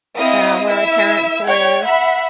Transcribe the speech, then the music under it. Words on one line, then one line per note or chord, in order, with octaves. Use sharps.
um, where my parents live,
C4 E4 D#5 F5 D#6
E4 E5 E6
C#5 G5 G#6
E5 F#5 B5